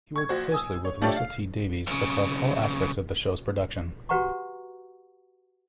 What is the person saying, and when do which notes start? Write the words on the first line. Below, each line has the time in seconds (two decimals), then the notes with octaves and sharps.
He worked closely with Russell T Davies across all aspects of the show's production.
0.16 C#6 G#6
0.29 A#1 F#4 C5
0.52 G#5 D#6 E6
0.85 C#5
1.02 A3 D4 F4 G4 A4 C#5
1.16 F5
1.87 B1 C#3
4.09 F#4 G4 B4 F#5 A#5 C#6